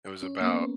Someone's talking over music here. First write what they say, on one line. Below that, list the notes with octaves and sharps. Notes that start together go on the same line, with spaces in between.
It was about
C#4
A#3
B3